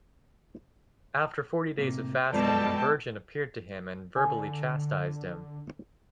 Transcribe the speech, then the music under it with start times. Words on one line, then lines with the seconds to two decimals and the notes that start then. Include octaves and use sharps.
After forty days of fasting, the Virgin appeared to him and verbally chastised him.
1.78 A2 C3 A#3
2.32 F#2 B2 F3 G#3 A4 D5 G5 A5
4.16 D3 G#5